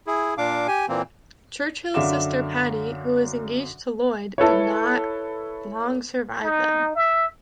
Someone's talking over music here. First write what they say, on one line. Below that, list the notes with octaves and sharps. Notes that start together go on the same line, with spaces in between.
Churchill's sister Patty, who was engaged to Lloyd, did not long survive them.
E4 G#4
A#2 D4 F5 D6
G4 G#5
A#2 E3 A#3 C4
F#2 D3 E5 F5 D6 E7
E4 A4 B4 C#5
D#4
E5